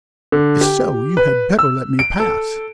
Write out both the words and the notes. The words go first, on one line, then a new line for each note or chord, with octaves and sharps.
"If so, you had better let me pass."
D3
G4
B4
E6
D7
A4